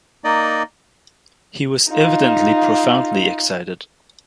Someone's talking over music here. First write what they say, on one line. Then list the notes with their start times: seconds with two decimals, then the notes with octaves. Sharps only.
He was evidently profoundly excited.
0.24 A#3 D#4 D5 D#5
1.90 D#4 F4